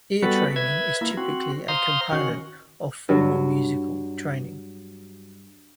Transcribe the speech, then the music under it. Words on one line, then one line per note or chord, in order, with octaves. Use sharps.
Ear training is typically a component of formal musical training.
G3 B3 F#4 A4 B4
B4 E5 G#6
A#3 E4
C4 F#4
C5 F5 A#5 C6 D#6
D#3 C#4 F#4
G2 F#3